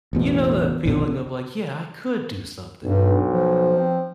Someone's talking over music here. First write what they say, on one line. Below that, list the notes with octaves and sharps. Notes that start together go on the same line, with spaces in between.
You know that feeling of like, "Yeah, I could do something,"
A1 E2 B2
A#1 F2 B2 D#3
B1 G2
F3
C4